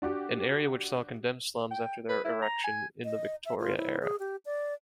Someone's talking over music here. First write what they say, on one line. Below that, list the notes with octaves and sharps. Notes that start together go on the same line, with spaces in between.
An area which saw condemned slums after their erection in the Victoria era.
D4 F#4 G4 D6
G5
B4
E4
A#5
G#5
D#5
E5
F4
E4
G#4
G4
D5